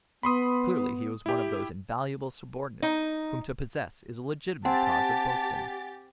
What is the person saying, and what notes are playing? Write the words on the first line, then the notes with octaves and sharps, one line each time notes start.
Clearly he was one of those invaluable subordinates whom to possess is a legitimate cause of boasting.
B3 B5 C6 D#6
E4 G4
D#4
C4 G4 F#5 G#5 A5 A6